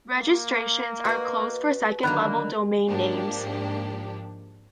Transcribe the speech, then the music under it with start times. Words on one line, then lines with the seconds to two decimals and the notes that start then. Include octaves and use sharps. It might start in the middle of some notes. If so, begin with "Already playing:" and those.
Registrations are closed for second-level domain names.
0.15 A#3
1.05 F#4 B4 D#5
2.03 D3 D#3 F#3 A#3 B5 F#6
2.88 G#2 F3 A#3 D4 G4